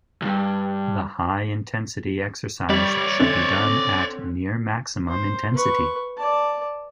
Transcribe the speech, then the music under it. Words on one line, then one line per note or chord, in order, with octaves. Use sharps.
The high-intensity exercise should be done at near maximum intensity.
D2 G2
G3 C#5 D5
D3 C4 C#4
C5
B4 C#6
D5 A5